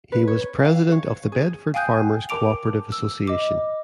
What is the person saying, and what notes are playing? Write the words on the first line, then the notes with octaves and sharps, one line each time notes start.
He was president of the Bedford Farmers' Cooperative Association.
B4
C#5
F5
C#5
G#4
F5 G5 G#5 D#6 F#6 G6
A#4 A5 D6 D7 F7
E6
D#5 D6